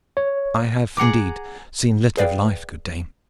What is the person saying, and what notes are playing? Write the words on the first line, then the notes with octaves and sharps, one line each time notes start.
"I have indeed seen little of life, good dame."
C#5
G#4 F#5 A#5 D6
G#4 B4 D5 F5 G5